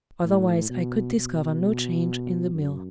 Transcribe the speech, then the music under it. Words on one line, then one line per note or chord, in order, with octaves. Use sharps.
Otherwise, I could discover no change in the mill.
A2
B2
B2
F#2